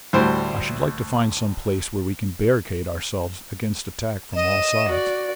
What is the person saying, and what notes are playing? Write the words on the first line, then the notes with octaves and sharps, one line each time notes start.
I should like to find some place where we can barricade ourselves against attack from all sides.
D2 A2 G3 C5
D#5 D#7 E7
F#4 D5